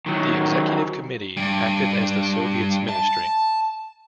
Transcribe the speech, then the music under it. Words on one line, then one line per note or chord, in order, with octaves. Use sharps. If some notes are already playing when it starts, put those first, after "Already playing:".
The Executive Committee acted as the Soviet's ministry.
D#3 F#3
G2
A5